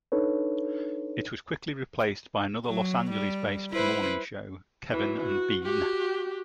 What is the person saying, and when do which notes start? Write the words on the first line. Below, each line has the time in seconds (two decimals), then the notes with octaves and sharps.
It was quickly replaced by another Los Angeles-based morning show, Kevin and Bean.
0.12 D4 D#4 A4 B4 C#5
2.66 F#3
3.10 G3
3.71 E4 B4 C5
4.91 E3 F#3
5.22 F#4
5.64 F#4 G4